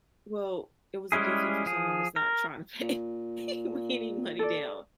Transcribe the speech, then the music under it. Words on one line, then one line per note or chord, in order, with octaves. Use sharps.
Well, it was a good fit for someone that's not trying to pay pay any money down,
G3 G#3 C#4 E4 G#4
F3 G#4
A#4
A#2
A4 D5